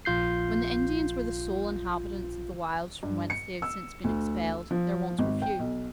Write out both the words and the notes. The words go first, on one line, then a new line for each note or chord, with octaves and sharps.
When the Indians were the sole inhabitants of the wilds from whence they have since been expelled, their wants were few.
A#1 F4 G6 C7
G2
C#7
E6
D2
F3
G#1
G5
B1